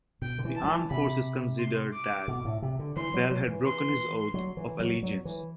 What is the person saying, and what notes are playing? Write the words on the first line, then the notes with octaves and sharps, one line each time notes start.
The armed forces considered that Bell had broken his Oath of Allegiance.
B2 G5
D3
E3
A5
F#3
E3
C3 B5
C6
D6
B2
A2
C3
D3
E3 C6
F#3
F#3
E3
C6
F#3
E3
F#3
F#3
E3